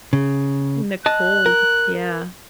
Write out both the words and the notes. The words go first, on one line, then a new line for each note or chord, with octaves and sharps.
In the cold, yeah.
C#3
D#5 A5 F#6
A#4